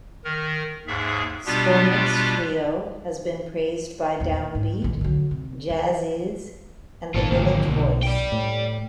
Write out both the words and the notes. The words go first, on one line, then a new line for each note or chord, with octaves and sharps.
Skolnick's trio has been praised by "Down Beat", "Jazziz", and "The Village Voice".
D#3 A#4
D#2 G#2 G#4 E5
B2 G3 B3 D4 F4 G4
E2 A#2
G#2
A#1 D#2
D3 F#3
C3
E3
G#1 A#2 D#3 F4 A4
G#1 D2 F3 A#3
B1
D5 G5
A2